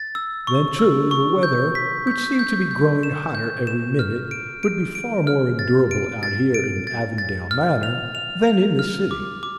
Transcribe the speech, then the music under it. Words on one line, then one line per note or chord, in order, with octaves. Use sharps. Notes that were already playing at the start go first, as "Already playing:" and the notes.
Then, too, the weather, which seemed to be growing hotter every minute, would be far more endurable out here in Avondale Manor than in the city.
Already playing: A6
E6
C#6
E6
C#6
G6
B6
G6
G6
G6
E7
G6
E7
F6
D7
D7
D7
F6
A6
D7
A6
D7
A6
A6
F6
F7
F7
F7
F6
D6
D6